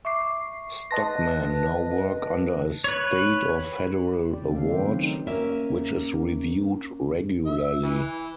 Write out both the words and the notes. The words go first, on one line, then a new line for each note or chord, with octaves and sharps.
Stockmen now work under a state or federal award, which is reviewed regularly.
E5 C#6 D6 C7
B4 D#5 A5 C6 A#6
B4 C#5
G4 D5
C#3 G#3 C#4 A4
D#3 A3 F5
C4 C#4 G4 B4 C5
D#3 E3 F#3 A3 C4
D#4
A#3 C#4 E5
E5
E3